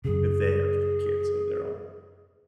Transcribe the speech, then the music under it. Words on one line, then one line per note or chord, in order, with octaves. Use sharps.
if they have k kids of their own.
F#2 C#3 G#4